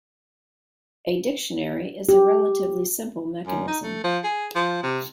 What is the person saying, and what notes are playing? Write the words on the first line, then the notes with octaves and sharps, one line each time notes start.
A Dictionary is a relatively simple mechanism.
G4
F#2
D#4
A3
F3
G#4
F3
C3